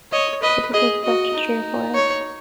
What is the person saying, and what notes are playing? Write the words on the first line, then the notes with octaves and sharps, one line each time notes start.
The typical clutch is three or four eggs.
C#5 D#5
B4 D#5
G#4 D#5
F#4 D#5
D#4
C#5